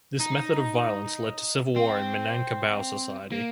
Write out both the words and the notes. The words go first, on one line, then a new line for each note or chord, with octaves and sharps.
This method of violence led to civil war in Minangkabau society.
D#4
C4
A#3